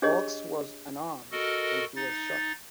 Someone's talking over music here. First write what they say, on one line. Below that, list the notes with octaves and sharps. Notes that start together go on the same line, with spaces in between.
Oakes was unarmed when he was shot.
D4 G4 G#4 C#5 D#5
F#4 A4 A#4 D#5
D#4 A6